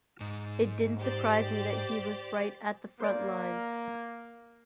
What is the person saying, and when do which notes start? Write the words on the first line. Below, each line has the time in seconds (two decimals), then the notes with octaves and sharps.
It didn't surprise me that he was right at the front lines.
0.21 G#2
0.99 G4 C5 D5
3.00 A#3 C5 D5